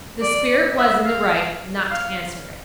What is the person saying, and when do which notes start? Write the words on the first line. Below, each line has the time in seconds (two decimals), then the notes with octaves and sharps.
The spirit was in the right not to answer it.
0.21 D5
0.78 E5
1.06 F5
1.91 F5